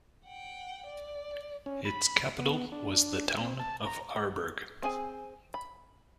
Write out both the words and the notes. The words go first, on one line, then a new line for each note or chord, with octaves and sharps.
Its capital was the town of Aarberg.
F#5 G5
D5
C#4
B5
B3
D4
C4
A5
A#5
C4 G#4 G#5
B5